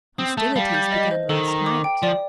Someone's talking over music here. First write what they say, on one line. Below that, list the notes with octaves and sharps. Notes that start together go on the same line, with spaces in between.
"Hostilities began last night."
C4 D#6
A3 A5
G3 F5
G6
D#5
C5
D#3 A4
A#5
D6
G5
F3 D5